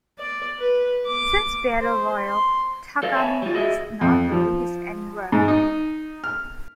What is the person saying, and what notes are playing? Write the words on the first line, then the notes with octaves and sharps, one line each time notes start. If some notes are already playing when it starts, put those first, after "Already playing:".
Since "Battle Royale", Takami has not released any work.
D5
B4
D6
C5
C6
A4 D5 F5
C#5 E5 G#5 A5 B5
G3 F4
E4 F#4 G#4 D#5 E5
F2
F3
G#2
D#4
F6